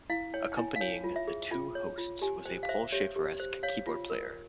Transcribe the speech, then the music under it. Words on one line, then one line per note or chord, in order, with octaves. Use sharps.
Accompanying the two hosts was a Paul Shaffer-esque keyboard player.
E4 F5
C#5 G5
G5
E4 G#5
F5
C#5 G5
F4
E5
G#4
F4 G5
C#5
F4
G4 G#5
C5 G5
F5
C5 E5
G4 C#5
G4
C5
C#5 F5
F4
A#4